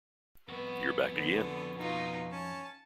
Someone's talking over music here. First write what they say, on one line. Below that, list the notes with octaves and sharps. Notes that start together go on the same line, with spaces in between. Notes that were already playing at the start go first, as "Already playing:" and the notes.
You're back again.
F2 B3 F#4
D3
B2 D#4 F4
C#4 A5